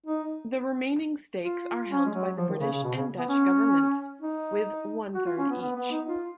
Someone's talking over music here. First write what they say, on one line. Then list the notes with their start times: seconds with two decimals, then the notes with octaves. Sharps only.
The remaining stakes are held by the British and Dutch governments, with one-third each.
0.06 D#4
1.44 F4
1.68 F4
1.90 C#4
2.05 G#3
2.14 F#3
2.37 F3
2.49 D#3
2.59 C#3
2.72 C#3
2.83 B2
2.95 C#3
3.18 B3
3.29 C#4
4.21 D#4
5.14 F#4
5.25 F4
5.38 C#4
5.49 B3
5.61 B3
5.76 B3
5.91 D#4
6.07 F4